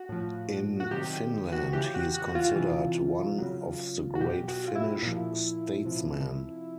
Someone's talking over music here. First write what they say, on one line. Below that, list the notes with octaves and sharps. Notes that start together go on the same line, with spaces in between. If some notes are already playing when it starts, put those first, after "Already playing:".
In Finland, he is considered one of the great Finnish statesmen.
Already playing: F#4
A2 F3
F#4
C3 D#3 F#3 G4
F#4
C#3 E3 G4
F#4
F#4
F#4
F4
C3 E3
C#3 F#3
F#4
B2 F#3 G4
F#4
F4
E4
A#2 F3
C3 F3